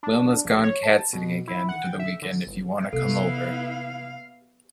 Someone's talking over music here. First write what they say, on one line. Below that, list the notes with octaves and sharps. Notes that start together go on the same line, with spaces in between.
Wilma’s gone cat sitting again for the weekend if you want to come over.
D4
A#1
C#5
A5
B2
E4
F#5
G5
E5
D3
G1
C3 A#3 B3 E4 A4 F5